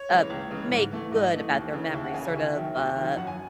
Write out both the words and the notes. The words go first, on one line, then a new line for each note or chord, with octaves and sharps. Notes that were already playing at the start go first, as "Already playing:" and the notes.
uh, make good about their memory, sort of, uh,
Already playing: C#5
C#3 E3 G#3
C#2
C#3 E3 G#3
G#2
E3 A3
G#2 D#5
E3 A3
D#2
C#3 E3
D#2 E5
F#5
C#3 E3 G#5
G#5
D#2 E5
D#3 F#3
D#2
D#3
F#3
F#2 F#5
G#5